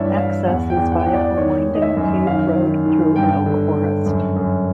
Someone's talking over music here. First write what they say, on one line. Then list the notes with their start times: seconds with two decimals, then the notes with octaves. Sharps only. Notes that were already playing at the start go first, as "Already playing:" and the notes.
Access is via a winding paved road through an oak forest.
Already playing: G2 E3 C#5 D5 E5
0.17 E3 F5
0.46 E2 F#5
0.70 G5
0.77 E2
0.92 F#5
0.99 G5
1.07 E2 F#5
1.14 D5
1.37 D#3 C#5
1.67 D#3
1.74 D#5
1.82 E5
1.96 F#2
2.27 D#3 F5
2.56 D#3
2.86 D#3
3.16 G2 G5
3.46 D3
3.76 G2
4.06 F#2
4.36 F#2